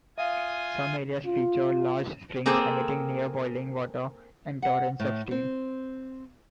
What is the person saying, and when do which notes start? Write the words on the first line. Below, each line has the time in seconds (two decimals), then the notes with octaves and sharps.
Some areas feature large springs emitting near-boiling water and torrents of steam.
0.18 F4 E5 F5 G#5 D#6
1.26 F4
2.46 A#3 C4 G#4 A4 C5
4.62 F#5
5.00 A2
5.31 C4